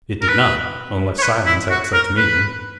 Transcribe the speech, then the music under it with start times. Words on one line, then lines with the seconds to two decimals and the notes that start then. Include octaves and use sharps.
It did not,--unless silence had such meaning.
0.22 A#4
0.28 B4
1.19 C#5
1.23 B4
1.46 E4
1.70 F#4
1.93 A#4
2.17 B4